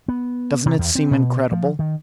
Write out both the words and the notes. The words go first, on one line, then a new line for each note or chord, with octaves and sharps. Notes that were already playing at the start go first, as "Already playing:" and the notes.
Doesn't it seem incredible!
B3
C3
E2
C4
B2
F3
D#3